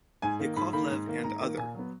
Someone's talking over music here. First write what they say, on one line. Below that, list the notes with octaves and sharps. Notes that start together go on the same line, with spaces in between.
Yakovlev and other.
G#2 G#5
D#3 A#3
G#2 B5
D#3 A#3 B5
G#2
D#3 A#3
G#2 A#5
D#3 A#3
A#2 G#5
F#3 B3